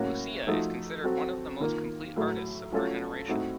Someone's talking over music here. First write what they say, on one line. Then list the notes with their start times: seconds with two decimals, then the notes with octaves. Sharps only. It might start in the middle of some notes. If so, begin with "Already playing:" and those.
Lucia is considered one of the most complete artists of her generation.
Already playing: A2 F#3 A#3 C#4 F#4
0.47 F3 A3 D#4 F#4
1.03 F#3 C4 F#4 A4
1.60 D#3 A#3 F4
2.16 A2 F#3 A3
2.72 F#3 A3 C#4 F4 A4
3.28 A2 A3 C4 D#4 F#4